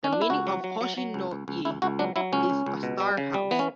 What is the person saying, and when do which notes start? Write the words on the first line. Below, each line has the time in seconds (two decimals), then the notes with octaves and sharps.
The meaning of "Hoshi-no-ie" is "a star house".
0.04 C#4
0.13 D4
0.22 E4
0.30 C#2 F#4
0.47 F#3
0.64 F#3
0.81 F#3
0.97 F#3
1.14 C#2
1.31 C#2
1.48 C#2
1.65 C#2 E4
1.82 C#2 F#4
1.99 F#3 D4
2.16 F#3 E4
2.33 C#2 C#4
2.50 C#2
2.66 C#2
2.83 B2
3.00 G3
3.17 C#3
3.34 G3
3.51 E3 B3
3.59 C#4